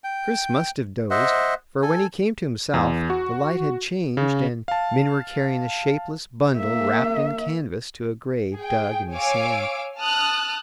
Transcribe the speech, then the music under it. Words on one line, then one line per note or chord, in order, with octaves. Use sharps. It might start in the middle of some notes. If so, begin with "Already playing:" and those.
Chris must have dozed, for when he came to himself the light had changed, and men were carrying a shapeless bundle wrapped in canvas to a grave dug in the sand.
G5
C5 D#5 E5 F#5
A4 G#5
E2
F#4
C#3
F5 A5
A#3 E5
G#4 G5
C#5 F5 G#5 D6 E6 D7
A5 D#6 F6 F#6